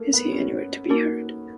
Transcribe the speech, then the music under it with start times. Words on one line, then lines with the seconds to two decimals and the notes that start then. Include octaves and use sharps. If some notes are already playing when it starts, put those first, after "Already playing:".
Is he anywhere to be heard?
Already playing: A3 A#3
0.14 B3
0.32 C#4
0.89 A#3 D#4 F#4 A#4